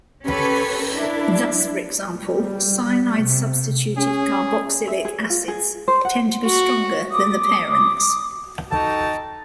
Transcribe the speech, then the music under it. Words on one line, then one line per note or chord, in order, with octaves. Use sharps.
Thus, for example, cyanide-substituted carboxylic acids tend to be stronger than the parents.
C#4 G4 A4 B4 C#5
D4 E4
G3
C3
C#4 G#4
E5
G#4
F4
G#4
C5
F#5
F#4
D6 D#6
D#4 F#4 A4 G5 A5